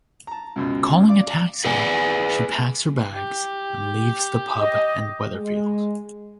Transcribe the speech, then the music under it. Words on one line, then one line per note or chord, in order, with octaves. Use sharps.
Calling a taxi, she packs her bags, and leaves the pub and Weatherfield.
A5 A#5
C#2 F#2 B2
D5 F5 D6
G#4 B4 D5 G#5
G4
D#5
G#3